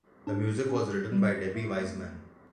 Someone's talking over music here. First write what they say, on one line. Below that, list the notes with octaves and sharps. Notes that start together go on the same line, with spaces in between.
The music was written by Debbie Wiseman.
D4
C#4
G3
A3